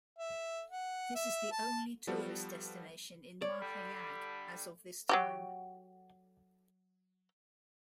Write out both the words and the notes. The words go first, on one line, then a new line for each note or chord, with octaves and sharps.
This is the only tourist destination in Mahayag as of this time.
E5
F#5
E5
A5
F3 G3 B3 F#4 A4
C#5 D5
D3 G3 B5
F#3 F#4 G4